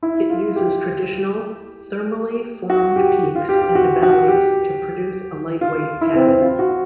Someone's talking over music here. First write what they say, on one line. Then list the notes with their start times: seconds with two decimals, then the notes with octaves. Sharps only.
It uses traditional thermally-formed peaks and valleys to produce a lightweight pad.
0.03 E4
0.30 F4
0.56 G4
2.70 F#4
2.96 G4
3.35 F4
3.49 G4
3.62 G4
3.75 F#4
4.03 F#4
4.28 G4
5.61 F4
6.01 E4
6.15 C4
6.28 C4
6.42 F4
6.59 F#4